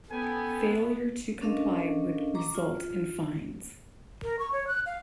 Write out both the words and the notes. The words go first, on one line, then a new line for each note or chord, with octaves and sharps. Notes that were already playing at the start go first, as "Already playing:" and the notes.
Failure to comply would result in fines.
B3 C#4 A4 G5 G#5
C#4 D4 A4 A#4 D#5 F5
A#5 C#6 D6
F4
A#4
C#6
C#5
F#6
F5